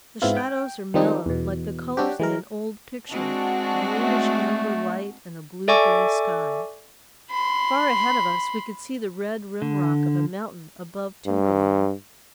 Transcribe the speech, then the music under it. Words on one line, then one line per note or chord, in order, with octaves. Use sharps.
The shadows are mellow, like the colors in an old picture--greenish amber light and a blue-gray sky. Far ahead of us we could see the red rim rock of a mountain above timber line.
G#2 B3 C4 E4 F4
G5
D#3 F3 G3 C4 D4 D#4
E2 B2
G3 C#4 D4 F#4 G4
E3 G#3 A#4
G#3 C4 D4 F#4
A3
A4 D5 E5 G#5 C#6 D6
B5 C6
D3
G2